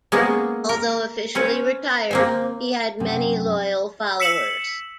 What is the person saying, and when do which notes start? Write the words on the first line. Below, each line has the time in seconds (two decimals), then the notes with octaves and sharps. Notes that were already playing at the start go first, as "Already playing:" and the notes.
Although officially retired, he had many loyal followers.
0.12 G#3 A#3 B3 C#4
0.69 A#4
1.35 C4 C#4 B4 C#5
2.11 A#3 C4 G#5
3.00 F#2 C3
4.20 E6 B6 C#7 E7 F#7